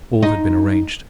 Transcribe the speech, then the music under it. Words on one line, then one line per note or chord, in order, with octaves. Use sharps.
All had been arranged.
D#4